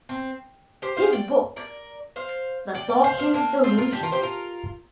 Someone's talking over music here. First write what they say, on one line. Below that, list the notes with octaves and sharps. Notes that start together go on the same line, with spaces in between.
His book: The Dawkins Delusion?
C4
G4 C5
C5 F5
D5 G5
A#4 D5
C5 F5
D5 G5
D5 G5
C5 F5
C5 F5
A#3 D4
C4 F4
F4 A#4
D4 G4
F4 A#4
G4 C5
F4 A#4